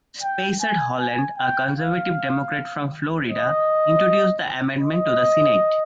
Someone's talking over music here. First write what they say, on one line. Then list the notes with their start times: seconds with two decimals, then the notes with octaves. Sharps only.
Spessard Holland, a conservative Democrat from Florida, introduced the amendment to the Senate.
0.23 G5
0.61 G#5
1.00 G#5
1.38 G5
1.76 F5
3.28 D#5
4.81 D#5